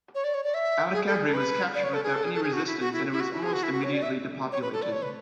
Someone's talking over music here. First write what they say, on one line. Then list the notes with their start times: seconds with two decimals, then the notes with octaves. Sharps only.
Al-Kabri was captured without any resistance and it was almost immediately depopulated.
0.15 C#5
0.24 D5
0.34 C#5
0.44 D5
0.54 E5
0.94 G#4
1.07 A4
1.14 G#4
1.24 A4
1.34 B4
1.74 D5
1.83 C#5
1.94 A4
2.04 G#4
2.14 A4
2.23 G#4
2.34 A4
2.43 G#4
2.53 F#4
2.67 E4
2.80 F#4
2.93 E4
3.12 E4
3.20 F#4
3.33 E4
3.43 G#4
3.53 F#4
3.63 E4
3.73 F#4
3.83 C#5
3.93 D5
4.02 E5
4.52 C#5
4.62 B4
4.73 A4
4.82 D5
4.92 C#5
5.02 B4